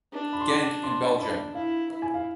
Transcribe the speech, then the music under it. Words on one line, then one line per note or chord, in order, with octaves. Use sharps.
Genk in Belgium.
D4
B5
C6
D6
C6
D4 B5
E4 F5
E4
G#5
F5